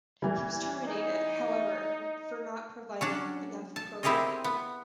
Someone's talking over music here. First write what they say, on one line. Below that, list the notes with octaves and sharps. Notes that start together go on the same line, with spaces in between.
He was terminated, however, for not providing enough programming.
E3 G3
D#4
F#3 C#4 D4
A5
C4 E4 G4 G#4 A#4 D#5
B3